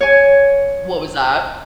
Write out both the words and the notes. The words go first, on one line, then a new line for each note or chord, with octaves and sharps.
What was that?
C#5 G#5